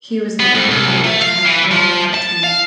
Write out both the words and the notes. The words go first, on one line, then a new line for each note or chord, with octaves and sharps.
He was the only member to have formal art training.
B3
F2
C2
A3
F5
E3
F3
A5
F5